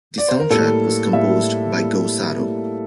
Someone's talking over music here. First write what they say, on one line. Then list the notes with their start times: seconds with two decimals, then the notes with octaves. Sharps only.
The soundtrack was composed by Go Sato.
0.18 D5
0.28 C5
0.40 A#4
0.50 A2 G3 A#3 A4
1.13 A2 G3 A#3 E5
1.76 A2 G3 A#3
2.38 A2 G3 A#3